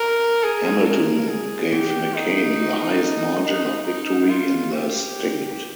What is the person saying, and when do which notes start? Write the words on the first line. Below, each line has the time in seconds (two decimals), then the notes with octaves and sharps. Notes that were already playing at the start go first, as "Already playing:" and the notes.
Hamilton gave McCain the highest margin of victory in the state.
Already playing: A#4
0.43 G#4
0.86 A#4
1.29 G#4
1.72 G4
2.15 D#4
3.43 D#4
3.87 D#4
4.30 F4
4.72 G4